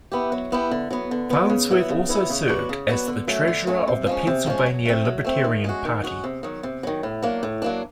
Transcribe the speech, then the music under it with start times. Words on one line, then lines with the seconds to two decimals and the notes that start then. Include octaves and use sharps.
Farnsworth also served as the treasurer of the Pennsylvania Libertarian Party.
0.12 B3 E4 G4
0.32 F#3
0.52 B3 E4 G4
0.71 D3
0.91 F#3 B3
1.11 D3
1.30 F#3 B3
1.50 C#3
1.70 F#3 B3 E4
1.90 C#3
2.09 F#3 B3 E4
2.30 C#3
2.48 F#3 B3 D4 F#4
2.69 C#3
2.89 F#3 B3 D4 F#4
3.08 D3
3.27 F#3 A3 C#4
3.48 D3
3.67 F#3 A3 C#4
3.88 C3
4.07 F3 G#3 C#4
4.27 C3
4.46 F3 G#3 C#4
4.66 F#3
4.85 A3 C4
5.05 F#3
5.24 A3 C4
5.44 D#3
5.64 G#3 C#4 F#4
5.85 D#3
6.04 G#3 C#4 F#4
6.24 C3
6.43 D#3 F#3
6.63 C3
6.83 D#3 F#3
7.03 A2
7.23 F#3 A#3 D4
7.43 A2
7.62 F#3 A#3 D4